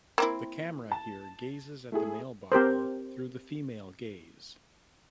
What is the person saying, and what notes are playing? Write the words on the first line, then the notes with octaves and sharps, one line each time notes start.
The camera here gazes at the male body through the female gaze.
A#3 C4 E4
A5
A3 E4 G#4
C4 G4 A#4 C5